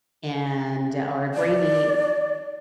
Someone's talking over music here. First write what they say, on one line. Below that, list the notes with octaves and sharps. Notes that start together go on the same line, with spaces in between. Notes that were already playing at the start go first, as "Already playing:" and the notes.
and or Brainy,
D5